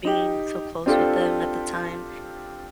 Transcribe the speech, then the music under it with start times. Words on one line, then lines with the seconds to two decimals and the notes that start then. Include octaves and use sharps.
being so close with them at the time,
0.05 D#4 G4
0.86 C4 D4 F4 G4 A4